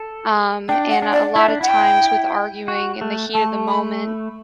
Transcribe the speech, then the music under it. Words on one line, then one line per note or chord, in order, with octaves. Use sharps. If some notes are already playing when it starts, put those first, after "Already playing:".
um, and at a lot of times with arguing in the heat of the moment,
Already playing: A4
D4 G5
F#5
D4
D5
E4 E5
D4
E4 F#5
G5
F#4
A3
A3 A5
B5